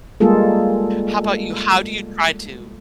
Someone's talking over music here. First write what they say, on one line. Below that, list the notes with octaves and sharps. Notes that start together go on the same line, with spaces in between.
How 'bout you? How do you try to,
G3 G#3 A#3 F4 G#4 A4